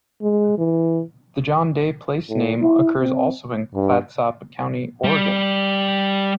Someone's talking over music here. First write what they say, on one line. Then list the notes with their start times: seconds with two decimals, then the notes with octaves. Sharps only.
The John Day place name occurs also in Clatsop County, Oregon.
0.22 G#3
0.58 E3
2.29 A2
2.62 E4
3.00 C4
3.75 G2
5.04 G3